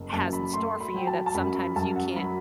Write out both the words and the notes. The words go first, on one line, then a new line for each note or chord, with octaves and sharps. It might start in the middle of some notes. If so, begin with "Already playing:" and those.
has in store for you that sometimes you can't
Already playing: F#1
F#2 A5
B5
A3 C6
B5
F#3 G5
A5
A5
F#2 B5
B5
F#2 A5
F#5
F#3 B5